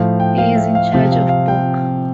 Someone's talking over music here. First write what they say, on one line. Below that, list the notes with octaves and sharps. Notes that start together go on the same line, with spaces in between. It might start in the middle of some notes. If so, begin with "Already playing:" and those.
He is in charge of "boke".
Already playing: A2 F3 F5
G5
F5
E5
F5
C3 F3 F5
F5
F5
G5